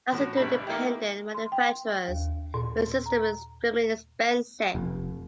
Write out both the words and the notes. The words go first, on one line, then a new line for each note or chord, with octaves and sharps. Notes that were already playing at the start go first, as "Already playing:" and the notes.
Licensing to independent manufacturers made the system extremely expensive.
A2 F#4
G#1 C3 D4 B5
A#3 D#4 E4 G4
C6
G5
D#2
A#2
A#5
F1